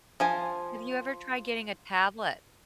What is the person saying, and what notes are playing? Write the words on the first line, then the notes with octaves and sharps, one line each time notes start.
Have you ever tried getting a tablet?
F3 C5 G#5